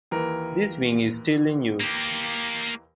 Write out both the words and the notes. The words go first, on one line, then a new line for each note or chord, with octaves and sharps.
This wing is still in use.
D#2 E3 A#4
A#3 G4